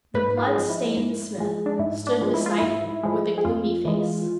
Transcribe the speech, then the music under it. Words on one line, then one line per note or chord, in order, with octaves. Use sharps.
The blood- stained smith stood beside him with a gloomy face.
G#2 B4
F4
G#4
F3 G#3
E4
G#2
F3 G#3
D4
G#2 E4
D4
F3 G#3
E4
F4
G#2 E4
F3 G#3
G#4
F2 F4
E3 G#3